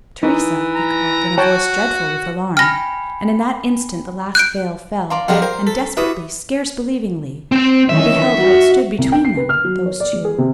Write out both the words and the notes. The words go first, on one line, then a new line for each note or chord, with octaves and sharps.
"Theresa!" he called, in a voice dreadful with alarm--and in that instant the last veil fell, and desperately, scarce believingly, I beheld how it stood between them, those two.
E3 D#4
A#5
F#4 C#5 G5 A5
G5 G#5 B5 F6 A#6
F#6 G6 D7
D5 F5 A#5 C6
F2 G3 G#3 F#5 G5 A#5 F6
A#4 C5
A4 B6
E4 F#4 G4 B4 E5 D#6
C4 G5
D#3 E3 C#4 E5
F#4
C2
G5
C7
B4
F6
F#3
C#5
D5
G#3
G#4
C3